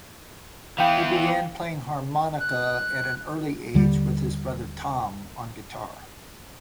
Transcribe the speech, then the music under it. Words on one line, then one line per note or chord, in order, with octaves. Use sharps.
He began playing harmonica at an early age with his brother Tom on guitar.
E3 B3 F5 G5
F#6
D#2 D3 G3